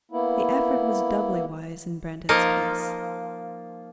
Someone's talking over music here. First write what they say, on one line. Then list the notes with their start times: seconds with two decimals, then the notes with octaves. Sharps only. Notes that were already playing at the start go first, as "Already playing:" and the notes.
The effort was doubly wise in Brandon's case.
0.12 A#3 B3 E4
2.29 F3 A#3 D#4